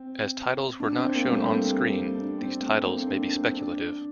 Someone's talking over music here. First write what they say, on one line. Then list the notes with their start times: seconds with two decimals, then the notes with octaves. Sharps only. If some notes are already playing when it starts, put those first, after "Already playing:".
As titles were not shown on-screen, these titles may be speculative.
Already playing: C4
0.80 D4
0.97 C4
1.14 A#3
1.24 G3
1.31 A3
1.48 C4
2.15 D4
2.38 C4
2.61 A3
2.83 A#3
2.97 C4
3.07 D4
3.29 D4
3.41 C4
3.53 D4